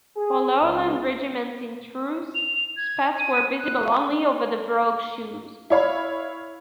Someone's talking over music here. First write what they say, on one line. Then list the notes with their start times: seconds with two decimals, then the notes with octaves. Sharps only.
For Lowland regiments in trews, spats were visible only over the brogue shoes.
0.16 G#4
0.60 C#2
2.35 F7
2.77 G#6
3.19 D#7
3.59 F#6
5.70 E4 C#5 F5 B5